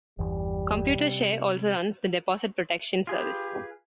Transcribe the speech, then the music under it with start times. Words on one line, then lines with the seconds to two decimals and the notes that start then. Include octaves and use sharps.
Computershare also runs The Deposit Protection Service.
0.19 G1 E2 E3 G3
0.95 C3
3.07 F4 G4 G#4 B4